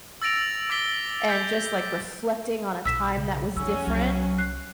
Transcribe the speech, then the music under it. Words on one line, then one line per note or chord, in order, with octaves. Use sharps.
and just, like, reflecting on a time that was different,
E6 A6 A#6 D7 F7
D6 E6 A6 B6 G7
G6 B6
B1 E6 B6 E7
C#3
B1 F2 F3 C#4 F#4 E6
C2 F#3
F#6 C7